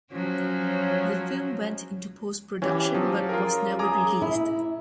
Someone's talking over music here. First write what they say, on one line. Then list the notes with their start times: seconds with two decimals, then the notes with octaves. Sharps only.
The film went into post-production but was never released.
0.12 F3 F#3 C#4
2.62 E3 C#4 G4
2.94 F3 F#3
3.29 F4 G#4 A#4
3.79 G#4 A#5 D6 D#6
4.22 E4